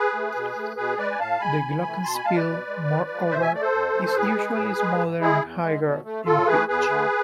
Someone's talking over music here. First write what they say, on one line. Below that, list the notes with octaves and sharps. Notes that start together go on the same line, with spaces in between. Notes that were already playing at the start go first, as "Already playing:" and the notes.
The glockenspiel, moreover, is usually smaller and higher in pitch.
Already playing: G#4 B4
A3
B2
A3
B2 G#4 B4
G#3 B4 D5
G#5
A2 F5 A5
G#3 G#5 B5
E2
C3 E3 A3
B2 A5 C6
G#5 B5
G#3 F5 A5
B4 D5
B2
G#3
G#2
F3
G#3
B2 C5 E5
E5 G#5
A3 D5
A4 C5
F2
E3 A3
A4
A2 G#4 B4
G#3
A2
G#3
G#2
G#3 E4 G#4
E2
D3 G#3
B2
A3
A2 F4 A4
E3 A3 G#4 B4
E2 G#4 B4
D3 A3